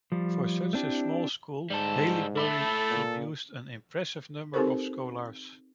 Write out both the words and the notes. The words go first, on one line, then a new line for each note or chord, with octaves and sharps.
For such a small school Haileybury produced an impressive number of scholars.
F3 G3
A3 C4 D4 E4 G4
G#2 G3 A4
A3 E4 A4
A#2
C4 D#4 G4 A4 A#4 C5